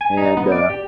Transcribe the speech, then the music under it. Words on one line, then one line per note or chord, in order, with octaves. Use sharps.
and, uh
G#5
D#4
B3
D5
G4